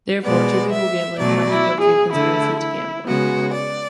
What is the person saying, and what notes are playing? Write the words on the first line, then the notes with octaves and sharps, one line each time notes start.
Therefore, two people gambling cannot be guilty of conspiracy to gamble.
B2 G#3 B3 D5
E5
B2 F#3 A3 D5
E4
G#4
D3 A3 E4
E4
C#3 G#3 B3 F#4
D5